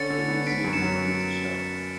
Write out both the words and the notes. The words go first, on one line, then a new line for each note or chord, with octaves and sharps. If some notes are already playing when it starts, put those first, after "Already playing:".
The museum includes a shop.
Already playing: D3 C#4 A6 C#7
D3
B3
C#4 B6 D7
F#2
C#7 E7
F#3